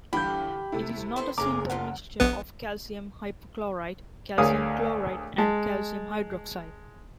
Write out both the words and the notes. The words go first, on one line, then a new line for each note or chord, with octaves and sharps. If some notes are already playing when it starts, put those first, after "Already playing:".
It is not a simple mixture of calcium hypochlorite, calcium chloride, and calcium hydroxide.
G2 D3 E3 G4 B5 G6
C3 A3 E4
B3 C4 C5
F#1 A3 G#4 A#4 A#5 D6
A3 A#3 F4 F#5
A#1 B3 B4
D2 G#4 A#4 C#5 F5 D#6
G#3 A5